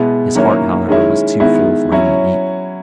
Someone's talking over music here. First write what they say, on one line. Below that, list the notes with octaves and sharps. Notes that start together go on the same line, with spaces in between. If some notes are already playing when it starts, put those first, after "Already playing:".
His heart, however, was too full for him to eat.
Already playing: B2 G#3 B3 E4
D#3 F#3 A#3 C#4 E4
D#3 G#3 C#4 E4
D#3 G#3 B3 E4
F#3 C#4 E4